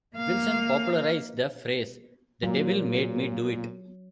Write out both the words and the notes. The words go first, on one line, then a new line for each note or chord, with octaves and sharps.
Wilson popularized the phrase The devil made me do it.
A#3 F5
A#2 F#3